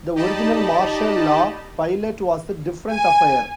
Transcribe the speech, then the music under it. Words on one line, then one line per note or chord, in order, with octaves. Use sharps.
The original "Marshall Law" pilot was a different affair.
D#4 G4 D5 D#5 A5 B5
G#5